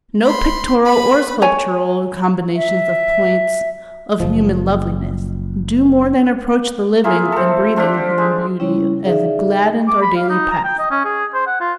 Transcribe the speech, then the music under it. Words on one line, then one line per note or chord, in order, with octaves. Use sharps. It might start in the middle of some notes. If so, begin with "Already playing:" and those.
No pictorial or sculptural combinations of points of human loveliness, do more than approach the living and breathing human beauty as it gladdens our daily path.
B5 C6
B4 B5
C#5 G#5
E5
F#1 F3
A#3 E4 F4 G#4
C4 A4
C4 D4 F4 G4
G#3
C#3 G3 C#4 E4 C#5
D#4 G#4 D5 E5 F5
D#5
D6
B5
F5
D#4
A#5
G5
D#5
C#4
G#4
C5
F#5
F4